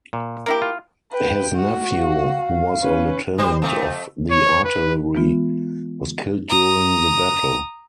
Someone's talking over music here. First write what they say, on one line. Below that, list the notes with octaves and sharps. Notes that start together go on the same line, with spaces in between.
His nephew, who was a Lieutenant of the artillery, was killed during the battle.
A#2
A#3 E4 G4 A#4
F4
B4 G5
F#4
F5
C#4 B4
G3 C5
F2 A3
C#5
B4
E3 G#3 B3 F4
A#5 D#6